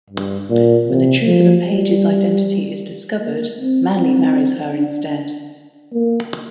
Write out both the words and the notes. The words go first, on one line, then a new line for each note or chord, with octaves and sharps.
When the truth of the page's identity is discovered, Manly marries her instead.
G2
A#2
C3
F3
G3
A#3
C4
C4
D4
A#3